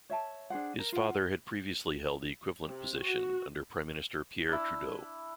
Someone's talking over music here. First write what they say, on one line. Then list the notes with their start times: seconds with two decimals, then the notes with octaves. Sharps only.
His father had previously held the equivalent position under Prime Minister Pierre Trudeau.
0.10 C#5 E5 A5
0.50 D4 G#4 C5 F#5
0.79 A#4
0.92 F4 F#5
2.68 C3
2.98 F#4
4.49 D4 E4